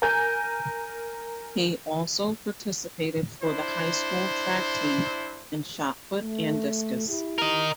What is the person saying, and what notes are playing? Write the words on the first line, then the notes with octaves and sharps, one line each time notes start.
He also participated for the high school track team in shot put and discus.
A#4 G#5 G6
D4 E4 C5
A3
E4 G4
A#4 D#5